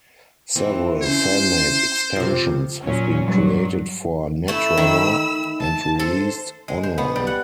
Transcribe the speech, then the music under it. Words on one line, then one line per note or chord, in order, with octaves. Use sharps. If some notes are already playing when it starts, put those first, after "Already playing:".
Several fan-made expansions have been created for Netrunner, and released online.
E3 C4
C#4 C5
F2 C3 F4
A#2 F#3 C#4
G2 F#3
A3 E4 B5 E6
D#3
A5
A4 C5
G#3
C5
B3
G3
F#5